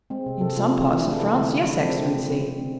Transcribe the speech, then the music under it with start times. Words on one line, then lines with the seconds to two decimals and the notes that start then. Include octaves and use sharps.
"In some parts of France--yes, excellency."
0.10 G#3 C4
0.26 C3
0.41 C3 A4
0.56 C3 F4
0.72 C3 F4
0.83 G#4
0.88 E3 E4
1.03 A3 D4
1.18 C3
1.34 D3 E4
1.49 D3 E4
1.64 F3 D4
1.80 G#3 C4
1.95 C3
2.11 C3
2.26 C3
2.42 C3
2.57 A3 C4